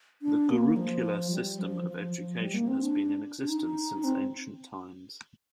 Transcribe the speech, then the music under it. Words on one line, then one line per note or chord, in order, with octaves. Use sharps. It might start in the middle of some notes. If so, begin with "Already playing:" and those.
The gurukula system of education has been in existence since ancient times.
D4
A#3
F3
G3
F3
F3
F3
G3
A#3
C4
D4
D4
D#4
C4